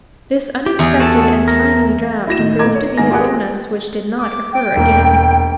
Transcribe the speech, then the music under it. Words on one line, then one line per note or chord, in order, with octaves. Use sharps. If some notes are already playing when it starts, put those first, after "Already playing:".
This unexpected and timely draft proved to be a bonus, which did not occur again.
G4
E2 G#4
F#4 A4 A5
A#4
E4 F#4 A#6 E7
A2 D#3
A1 A#2 A4 A#5 D6 G#6
C#5
G#2 D#3 A#3 G#5 A#6
F4 G4 G#4 A#4 F#5 G#5
D6 D#6
G5
E1 A#3